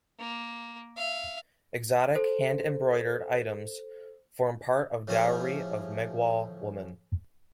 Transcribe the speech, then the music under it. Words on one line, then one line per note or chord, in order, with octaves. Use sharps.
Exotic hand-embroidered items form part of dowry of Meghwal woman.
A#3
E5 F5
A4 C5
A2 F3 C#4 G4 G#4